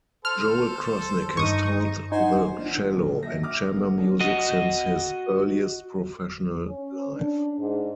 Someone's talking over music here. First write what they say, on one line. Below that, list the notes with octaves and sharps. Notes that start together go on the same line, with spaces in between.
Joel Krosnick has taught the cello and chamber music since his earliest professional life.
A4 C5 F6
G2 D#4 C#6 D#6
D#4 C5 F#5 G#5
E3 D4 F4
D#1 D3 F#3 A#3
D#5 E5 A#6
D6 D#6 F6
A3 B3
F#3 C#4 D4 A4 A#4
F#4 D#5
C#4
D4
G#2